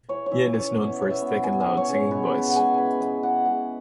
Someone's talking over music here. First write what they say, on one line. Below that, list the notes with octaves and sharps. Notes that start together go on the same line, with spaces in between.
Yin is known for his thick and loud singing voice.
E3 C#5
C#5
E3 E5
C#4 C#5
B2 C#5
B3 C#5
E5
B3
B3 G#5
G#5
C#3
C#5
C#3
C#5
B2 B4
B2
F#5
G#3 G#5
E3 G#5 B5
B3 G#5
E3 F#5
G#3 F#5